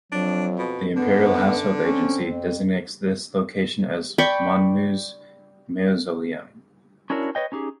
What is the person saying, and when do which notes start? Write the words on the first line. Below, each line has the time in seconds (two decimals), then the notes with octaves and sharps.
The Imperial Household Agency designates this location as Monmu's mausoleum.
0.12 F2 F#3 D4
0.58 B2
0.96 F#2 D3 B3
1.84 C4 C#4
2.27 F2
4.18 D5 G5 B5 C#6
7.10 C#4 D4 E4 F#4 A#4 C#5
7.35 B4 C#5 D#5 G5
7.52 C#4 D#4 G4 G#4